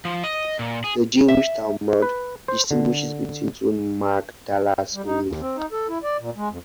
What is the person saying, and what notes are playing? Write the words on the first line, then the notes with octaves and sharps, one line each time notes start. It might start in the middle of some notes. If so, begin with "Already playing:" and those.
The Jewish "Talmud" distinguishes between two Magdalas only.
F3
D#5
A#2
G#4
E5
B4
C5
D3
G3
D#4
D#2
C4
D#4
A4
E4
D5
A#2
G#3
F2